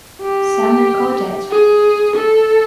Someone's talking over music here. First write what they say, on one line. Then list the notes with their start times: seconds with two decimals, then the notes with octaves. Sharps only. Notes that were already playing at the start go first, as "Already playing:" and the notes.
Some record it.
0.21 G4
1.51 G#4
2.15 A4